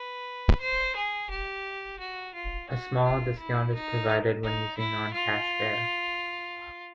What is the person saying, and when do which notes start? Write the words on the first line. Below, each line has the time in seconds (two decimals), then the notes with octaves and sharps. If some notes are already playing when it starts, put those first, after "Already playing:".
A small discount is provided when using non-cash fare.
Already playing: B4
0.60 C5
0.96 G#4
1.30 G4
2.00 F#4
2.35 F4
2.70 F#4
3.04 F4
3.39 E4
3.75 D#4
4.43 D#4
4.78 E4
5.14 F4